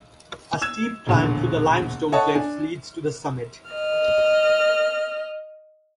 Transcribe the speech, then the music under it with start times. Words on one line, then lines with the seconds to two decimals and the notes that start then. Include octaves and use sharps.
A steep climb through the limestone cliffs leads to the summit.
0.62 E6 G#6 E7
1.07 E1 A#1 D3
2.12 A4 C#5 D#5 F#5 A5
2.34 D4 G#5
3.69 D#5 F6